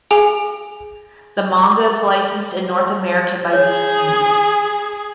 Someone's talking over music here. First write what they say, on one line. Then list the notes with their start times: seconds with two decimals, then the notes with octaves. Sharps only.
The manga is licensed in North America by Viz Media.
0.11 G#4 G#5
3.53 G#4 C#5